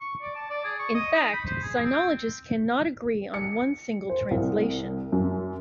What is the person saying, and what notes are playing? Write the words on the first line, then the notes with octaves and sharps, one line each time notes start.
In fact, Sinologists cannot agree on one single translation.
C#6
D5
A5
D5
G#4
C#6
D#5
D#4
B5
C5
G#4
C4
C#7
C5
C2
F#2